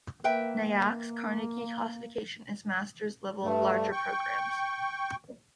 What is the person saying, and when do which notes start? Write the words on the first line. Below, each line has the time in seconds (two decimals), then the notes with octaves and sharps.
Nyack's Carnegie Classification is Master's Level - Larger Programs.
0.24 A#3 B4 E5 G5
3.43 G2 A3
3.92 G5 C#6